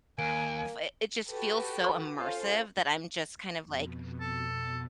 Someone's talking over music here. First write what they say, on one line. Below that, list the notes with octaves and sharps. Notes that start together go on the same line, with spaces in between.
f it it just feels so immersive that I'm just kind of like
D#2 A#3 G#5 D7
F#4 G4 A4 B4
C#4 F4 A4 C5 F5
F2 B2
A4